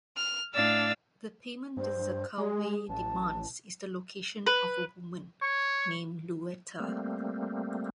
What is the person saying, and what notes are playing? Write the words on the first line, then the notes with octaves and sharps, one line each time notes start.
The payment that Zakalwe demands is the location of a woman, named Livueta.
F6
A2 D4 F5 E6 A6
G2 C5
G#3 G#4
A1 A5
B4
C#5 C#6
G3 A3 A#3 C4